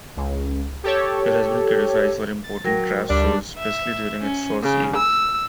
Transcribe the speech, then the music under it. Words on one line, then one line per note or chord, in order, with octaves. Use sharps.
It has been criticized for importing "trash shows", especially during its first years.
C#2
G4 A4 C#5
A6
F#3 A#4 G5 A#6
D2 G3 D4
E5
C#4
C#3
E6